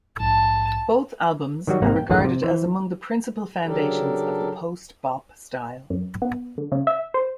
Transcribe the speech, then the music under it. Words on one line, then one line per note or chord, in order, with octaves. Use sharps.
Both albums are regarded as among the principal foundations of the post-bop style.
A#1 G#2 A5
D#3 F#3 G3 F#4
G#1 C3 A#3 D#4 F#5 A#5
G5
A1 F#2 D#3 F4 G#4 F#5
C3
E3 C5
C#3 F#3 D4 G4 A4 A#4
F#2
B3
D3
C#3
E5
C5